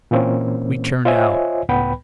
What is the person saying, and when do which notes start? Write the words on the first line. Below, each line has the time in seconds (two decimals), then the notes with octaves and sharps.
We turned out.
0.11 A#2 E3 A#3 C4 C#4
1.05 F4 C5 C#5 D#5 E5 G#5
1.69 C#2 A2 B3 B4 G5 B5